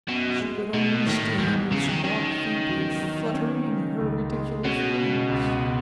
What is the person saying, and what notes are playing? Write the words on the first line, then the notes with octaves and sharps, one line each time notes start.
She could only stand and squawk feebly, fluttering her ridiculous wings.
F#2 B2
G#3
B2 D#4
A2 D#3
E2 G#2
C#3 F#3
D#3
D#3 C#4
C#3
E2
F#3
C#4
C#3
C#2
G#3
B2 C#4
C#3
C#2
G#3